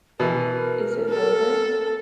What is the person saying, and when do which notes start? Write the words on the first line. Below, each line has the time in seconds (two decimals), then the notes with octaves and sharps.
Is it lowbrow?
0.20 B2 E3 A#4
1.10 A4